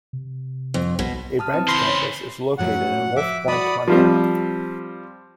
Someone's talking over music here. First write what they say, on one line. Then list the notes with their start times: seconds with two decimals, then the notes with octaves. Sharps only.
A branch campus is located in Wolf Point, Montana.
0.13 C3
0.74 F2
0.99 B1 B2
1.39 A5 D#6 F6
1.54 E3 C4 B4
1.69 C#3 C5 B5 C6 A#6 B6
1.87 C#5
2.58 F#2 A2 F#3 F#5
3.16 F3 E5 D6
3.48 F#4 D5 F#5 B5 D#6
3.87 F3 G3 C4